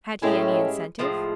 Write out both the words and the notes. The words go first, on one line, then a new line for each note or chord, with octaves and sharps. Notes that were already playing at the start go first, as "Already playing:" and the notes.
Had he any incentive?
A2 G#3 C#4 E4 G4
A2 F3 G#3